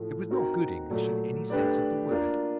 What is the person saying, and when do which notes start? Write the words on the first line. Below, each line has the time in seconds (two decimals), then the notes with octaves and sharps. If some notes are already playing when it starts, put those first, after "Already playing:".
It was not good English in any sense of the word.
Already playing: A2 F3 A3
0.30 C4 D#4 F#4 A#4
0.90 A#2 F#3 A3
1.50 A3 D4 G4 B4 D5
2.11 A#3 D4 F4